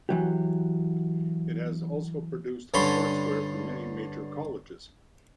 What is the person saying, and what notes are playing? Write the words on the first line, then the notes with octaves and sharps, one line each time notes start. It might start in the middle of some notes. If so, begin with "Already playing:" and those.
It has also produced sportswear for many major colleges.
E3 F#3 G4
G2 D3 C#4 B5 C6